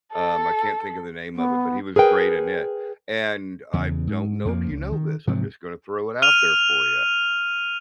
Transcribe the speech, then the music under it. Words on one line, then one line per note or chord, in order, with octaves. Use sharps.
Um, I can't think of the name of it, but he was great in it, and I don't know if you know this. I'm just gonna throw it out there for you,
A4
B3
G#4 A#4 B4 G5
E2 C#3
G#2
F2 F3 G3 A#3
C#2
D#3
G#2 C3 F3 F#3
F6 D#7 F7